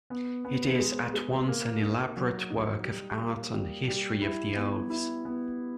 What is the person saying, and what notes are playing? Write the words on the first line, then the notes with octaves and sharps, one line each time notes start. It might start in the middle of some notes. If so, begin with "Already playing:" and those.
It is at once an elaborate work of art and history of the elves.
B3
B3
G#3
G#3
A#3
D#4
F#3
D#4
G3
A#3
G3
G3
E4
B3
E4
B3